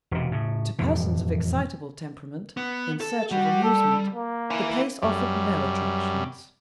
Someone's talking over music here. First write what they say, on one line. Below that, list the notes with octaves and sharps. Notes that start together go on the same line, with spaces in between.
To persons of excitable temperament, in search of amusement, the place offered no attractions.
E1 C3
A2 C#3
E1 F2 A2 E3
B3
A4
G3 F#4
A4
A#3
E4 G#5
F#2 G3